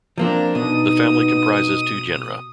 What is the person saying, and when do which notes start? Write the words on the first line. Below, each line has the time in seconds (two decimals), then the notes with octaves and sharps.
The family comprises two genera.
0.18 F3 A#3 C4 D4 A#5
0.55 B2 B3 D#4 D#6